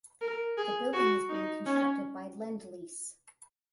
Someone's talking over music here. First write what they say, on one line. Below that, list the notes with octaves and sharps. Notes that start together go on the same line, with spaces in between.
The building is being constructed by Lendlease.
A#4
G#4
F#4
D#4
C#4